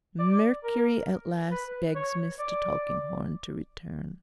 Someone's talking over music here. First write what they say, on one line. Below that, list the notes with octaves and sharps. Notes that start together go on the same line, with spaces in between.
Mercury at last begs Mr. Tulkinghorn to return.
D5
A#4
B4
C#5
D5